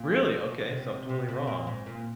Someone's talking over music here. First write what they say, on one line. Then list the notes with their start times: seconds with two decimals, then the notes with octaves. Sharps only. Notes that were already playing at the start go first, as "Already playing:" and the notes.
Really? Okay, so I'm totally wrong.
Already playing: A#2
0.71 C3
1.09 C3
1.29 C3
1.47 A#2
1.67 G#2
1.86 A#2